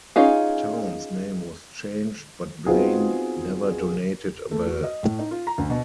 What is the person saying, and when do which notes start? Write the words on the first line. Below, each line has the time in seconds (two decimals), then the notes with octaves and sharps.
The town's name was changed, but Blaine never donated a bell.
0.16 C#4 D#4 F4 G#4
2.66 B3 C4 D#4 F4 F#4 G#4
4.51 A3
4.67 F#4
4.84 D#5
5.03 A2
5.19 D#4
5.31 F4
5.47 A#5
5.58 D2
5.70 B2